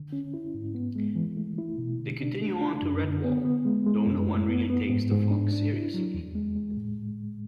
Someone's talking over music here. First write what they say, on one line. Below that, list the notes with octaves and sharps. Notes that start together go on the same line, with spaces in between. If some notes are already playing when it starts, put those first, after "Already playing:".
They continue on to Redwall, though no one really takes the fox seriously.
Already playing: D3
C#4
E4
G#2
B3
G#3
E3
A3
E4
B2
D3
D4
A3
D4
F#2
D3
B3
B3
G#3
G#3
F#2
A3
B3
B3
G#2
G#2
D4
D4
E4
F#3
E2
G#3
G#3
A2